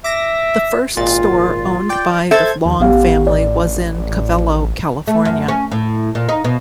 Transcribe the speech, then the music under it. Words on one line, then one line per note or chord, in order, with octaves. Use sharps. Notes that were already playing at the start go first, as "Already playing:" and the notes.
The first store owned by the Long family was in Covelo, California.
E5 D6 A#6
G#1 A#2 F4 A6
D5 G5
A4 C5 E5 G#6
D#2
A1 B3 G4 F5
D5
A3
F#2
C#4
A2
A#2
D#4
B2